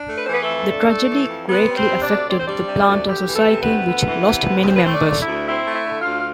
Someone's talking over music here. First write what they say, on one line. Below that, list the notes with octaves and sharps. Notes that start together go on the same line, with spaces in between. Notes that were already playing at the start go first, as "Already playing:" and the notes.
The tragedy greatly affected the planter society, which lost many members.
Already playing: D4
A3
B4
C5
E3 B3 B4
A3 A4
F2
D4
A3
E3
F2
B3 C4 B4
G3
C4 C5
C3
D4 D5
D2
C4 D5
C5
G3 D4 D5
C3
D2
D2 G4
E3
A3 A4
C3
B3 B4
D2
D2
E3
C3
D2
C4 C5
B4
A3 C4 C5
D4 D5
D3
E4 E5
D2
C4 E4 E5
A3
E4 E5
D3
F4 F5
D2
F5